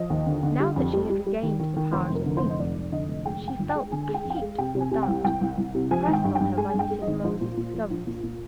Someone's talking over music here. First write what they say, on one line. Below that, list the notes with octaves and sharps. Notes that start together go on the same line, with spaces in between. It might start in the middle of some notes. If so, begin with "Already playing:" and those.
Now that she had regained the power to think, she felt a hateful doubt pressed on her by Mrs. Mosey's disclosures.
Already playing: F3 D#5
D#2
D3
D3
G3
F2
G3
G3
G3
D#3
D#3
D#3
F1 C5
F1
A#4
D3
C5
F1
D#5
F1 D5
F1
D3 D#5
F1
G#3 G5
G#3
G5
G1
G5
G#3
D3 G#5
G#3
G5
F2
G5
F5
G#3
C3 G5
C3
G#5
C3
C2 G5
C2 G5
C2
C2
C3
F3 G#5
G#1
G5
G2
G5
G2
G#3 G#5
G2
G5
G#3
D#5
G#1
A#1 C5
A#2
A#2
F3
A#1
A#2
A#2